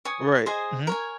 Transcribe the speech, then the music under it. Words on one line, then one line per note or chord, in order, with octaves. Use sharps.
Right, mhm.
C#5 G#5 D#6
G#4 C5 D#5 G#5
A#4 C#5 G#5